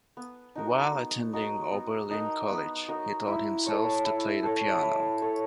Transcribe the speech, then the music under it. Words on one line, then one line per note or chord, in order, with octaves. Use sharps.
While attending Oberlin College, he taught himself to play the piano.
B3
D#4 F#4 A#4
B3
D#4 F#4 A#4
B3
D#4 F#4 A#4
B3
D#4 F#4 A#4
E4
A4 C#5
E4
A4 C#5
E4
A4 C#5